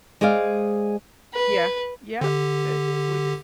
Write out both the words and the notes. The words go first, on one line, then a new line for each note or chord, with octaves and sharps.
Yeah, yeah, that just we just
G#3 G#4 C5 D5 F5
B4
D3 G4